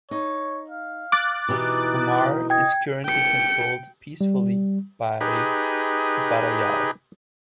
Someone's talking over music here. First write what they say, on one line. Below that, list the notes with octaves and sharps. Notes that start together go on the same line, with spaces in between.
Komarr is currently controlled peacefully by Barrayar.
D#4 C#5
F5
D6 F#6 A6
B2 E3 D#4 G4
D#5 G5 G#6
G5 C#7
G3
D#4 G4 G#4 B4